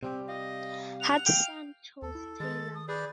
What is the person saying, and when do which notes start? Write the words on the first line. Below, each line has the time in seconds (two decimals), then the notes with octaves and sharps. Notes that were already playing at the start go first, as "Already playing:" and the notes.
Hudson chose Taylor.
0.03 C3 G3 C4 G4
0.29 D#5 F5
1.01 F#5 F7
1.26 F5 G5
2.02 D#2 A4
2.15 E4
2.40 D#3 G#3 A6
2.75 D#6
2.88 G#4 B4 D5 G6